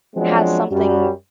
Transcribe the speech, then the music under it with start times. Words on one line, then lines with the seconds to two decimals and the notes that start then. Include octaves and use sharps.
has something
0.16 F3 F#3 G#3 B3 C4 D4
0.70 F#2 F#3 G3